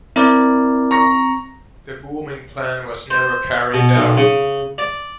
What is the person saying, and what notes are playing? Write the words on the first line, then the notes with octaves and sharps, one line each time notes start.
The booming plan was never carried out.
C4 E4 A#4 D5
A#5 C#6 A#6
C5
B2
B1
C#3
D5